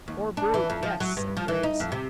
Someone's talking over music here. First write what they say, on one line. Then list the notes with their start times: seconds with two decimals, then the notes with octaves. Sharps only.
"Poor brute, yes," said Griggs.
0.08 D#2
0.37 D4
0.54 E3
0.70 F2
0.83 F3
1.00 F#3
1.17 G2
1.37 F3
1.48 E3
1.63 D#4
1.80 F2
1.92 C3